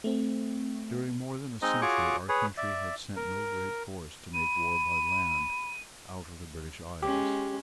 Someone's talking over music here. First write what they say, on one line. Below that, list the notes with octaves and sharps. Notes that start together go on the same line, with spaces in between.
During more than a century our country had sent no great force to make war by land out of the British isles.
A3 C4
G#3 C4 D#4 D#5
F4 F#4 G#4 C#5 C#6 D6
G#4 B4 C#5
D5 E5
A#4
B5 D#7
G#3 C#4 G4